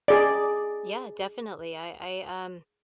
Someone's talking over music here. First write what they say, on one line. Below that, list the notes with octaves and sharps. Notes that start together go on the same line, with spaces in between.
Yeah. Definitely. I I, um,
G#4 D5